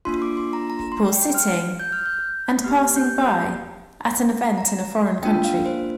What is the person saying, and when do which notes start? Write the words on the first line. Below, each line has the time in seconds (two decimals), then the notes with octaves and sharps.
People sitting and passing by at an event in a foreign country.
0.05 A#3 D4 F4 C6
0.22 D6
0.37 C6
0.53 A#5
0.70 A#5
0.92 C6
1.13 G5
1.35 F6
1.79 G6
1.92 F6
2.06 G6
2.64 A#3 G4 F6
2.96 G6
4.58 A#5
5.22 A#3 D4 F4 G5
5.44 F5
5.66 C5